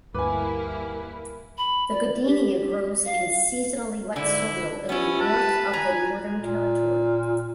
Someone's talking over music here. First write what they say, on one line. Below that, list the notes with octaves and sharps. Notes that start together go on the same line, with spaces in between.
This goodenia grows in seasonally wet soil in the north of the Northern Territory.
D2 G2 G3 A#3 E4 B4 G#5 D6
B5
D5
G4
F5
G#2 D3 E4
B3 C#4 E4 G4
B4 A5
G#5 A#5
A#2